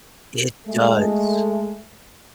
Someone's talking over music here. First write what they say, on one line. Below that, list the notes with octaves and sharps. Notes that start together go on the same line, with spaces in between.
It does.
G#3 A3